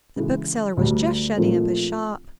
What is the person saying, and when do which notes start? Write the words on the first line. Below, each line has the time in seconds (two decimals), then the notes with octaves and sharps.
The bookseller was just shutting up his shop.
0.16 C#3 E3 G#3
0.77 D2 D3 G3
1.36 A#1 A#2 F3 A3 C4